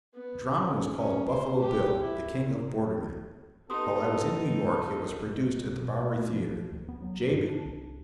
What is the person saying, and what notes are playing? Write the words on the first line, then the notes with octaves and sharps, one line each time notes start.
The drama was called "Buffalo Bill, the King of Border Men." While I was in New York it was produced at the Bowery Theater; J.B.
B3
C#4
C#4
C5
G4
E4
B3 D#4 G4 A4 C6 D#6
G#3
B2
A3
F3
F3
D#2
B3
F#3
G2
D4
C2